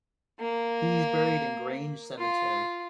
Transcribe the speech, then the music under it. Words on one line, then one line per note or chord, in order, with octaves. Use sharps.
He is buried in Grange Cemetery.
A#3
F4